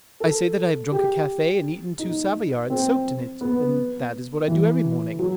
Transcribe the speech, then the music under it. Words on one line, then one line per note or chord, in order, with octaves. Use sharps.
"I say that I have drunk a cafe and eaten two Savoyards soaked in it, and that is what I do every morning."
A4
G4
D#4
C4
B3
E3
F#3